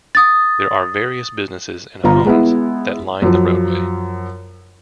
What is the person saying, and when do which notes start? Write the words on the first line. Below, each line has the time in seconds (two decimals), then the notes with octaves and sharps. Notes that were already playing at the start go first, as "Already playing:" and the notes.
There are various businesses and homes that line the roadway.
0.15 D#6 A6
2.04 G1 F4 A#5
2.25 G#3 B3 E4
3.22 F#2 F3